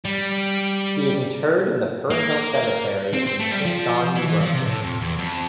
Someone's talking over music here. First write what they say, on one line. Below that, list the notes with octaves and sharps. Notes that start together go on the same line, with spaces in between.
He is interred in the Fernhill Cemetery in Saint John, New Brunswick.
G3
A#3
C4
C4
A3
G3
F3
E3
E3
F3
C3
A2
F2
E2
F2